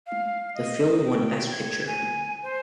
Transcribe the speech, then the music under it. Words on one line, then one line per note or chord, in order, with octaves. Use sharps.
The film won Best Picture.
F5
D#5
G5
G#6
G#5
C5